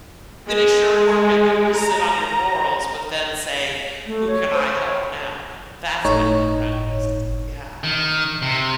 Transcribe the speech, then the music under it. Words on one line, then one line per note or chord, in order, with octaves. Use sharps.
Finish your work and don't just sit on your laurels, but then say, "Who can I help now?" That's an act of kindness. Yeah.
G#3
A#5
A3
C#5
C5
C#5
G1 A2 D#4 C#5
D#3
C3